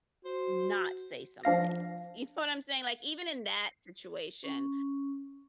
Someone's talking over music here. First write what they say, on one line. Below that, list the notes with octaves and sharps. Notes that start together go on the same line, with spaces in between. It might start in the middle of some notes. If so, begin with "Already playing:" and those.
not say some things, you know what I'm saying? Like, even in that situation,
F#4 C5
F3 D4 F5 A#6
C#4